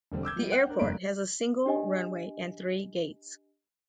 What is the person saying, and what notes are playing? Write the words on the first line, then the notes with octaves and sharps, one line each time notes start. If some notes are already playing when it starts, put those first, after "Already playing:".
The airport has a single runway and three gates.
E1 D3 G3 C4
D6 E6 G6 G#6
F3 G3
C5 F#5 G5 F#6
D4 A#4
F1 G2 A#3 B5 D7
D4 G4 D#5 G#5